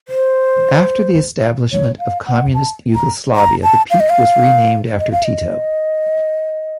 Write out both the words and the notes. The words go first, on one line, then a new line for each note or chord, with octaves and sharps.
After the establishment of Communist Yugoslavia the peak was renamed after Tito.
C5
C#5
F5
F#5
A5
A#5
A#5
A5
F5
D#5
F5
D#5
F5
D#5